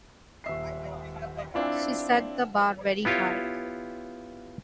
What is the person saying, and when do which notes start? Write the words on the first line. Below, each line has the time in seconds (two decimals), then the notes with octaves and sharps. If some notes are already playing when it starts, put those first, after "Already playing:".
She set the bar very high.
0.44 D#1 E5 C7
1.54 C4 D4 E4 F4
3.05 B3 E4 F4 G4 C#5